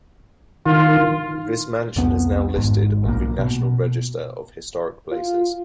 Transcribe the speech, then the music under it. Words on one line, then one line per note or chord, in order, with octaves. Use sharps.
This mansion is now listed on the National Register of Historic Places.
D#3 F4
C2 F2 B3
G#1 G#2
B1 A#2 F3 A#3
B2
F4